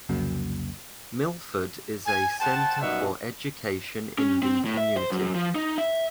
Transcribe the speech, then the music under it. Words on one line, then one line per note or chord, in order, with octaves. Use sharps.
Milford is a centre for education in the community.
C2 F2 C#3 F#3 A#3
G#5
C5 F#5 G5 A5
F#2 B2 G3 D#4 E5 F#5
C#4
C4
A2
E5
C5
F#2
F3
D#4
E5